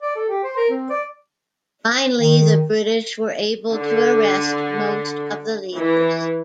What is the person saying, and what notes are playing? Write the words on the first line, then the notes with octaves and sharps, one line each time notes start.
Finally the British were able to arrest most of the leaders.
D5
A4
G4
C5
A#4
C4
D5
D#3
D3
E3